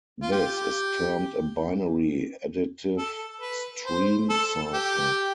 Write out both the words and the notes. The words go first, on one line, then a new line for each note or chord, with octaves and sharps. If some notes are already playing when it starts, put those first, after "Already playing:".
This is termed a binary additive stream cipher.
F4
G4
A4
B4
C5
A4
G4